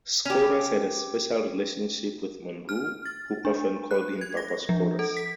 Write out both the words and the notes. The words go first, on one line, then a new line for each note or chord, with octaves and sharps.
Skouras had a special relationship with Monroe, who often called him "Papa Skouras".
C#4 G4
F6
A6
D4
F#6
G#6
A#6
F3
A4
B6